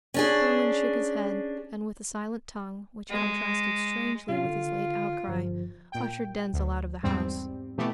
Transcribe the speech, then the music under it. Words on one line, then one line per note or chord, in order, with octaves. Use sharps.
Berwin shook his head, and with a silent tongue, which contrasted strangely with his late outcry, ushered Denzil out of the house.
C#4 D4 G#4
G#3
C3 C#4 F4
D3
G1 F3
A#2 G5
D2
E2 G#2 G3 C4
B2 E3 A3 B3 G4